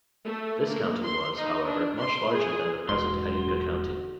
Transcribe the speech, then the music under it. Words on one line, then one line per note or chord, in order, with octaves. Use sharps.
This county was, however, much larger than the present Cayuga County.
A3
A#3
C6
D#4
D4
C6
G#4
E1 G#2 F#4 C6